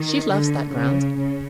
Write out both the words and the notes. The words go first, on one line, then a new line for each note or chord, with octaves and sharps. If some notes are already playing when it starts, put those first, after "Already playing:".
She loves that ground.
Already playing: D#3
D3
C#3
C#3